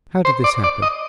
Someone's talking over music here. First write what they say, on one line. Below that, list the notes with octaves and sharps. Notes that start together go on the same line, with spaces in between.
How did this happen?
C5
D5
D5
D#5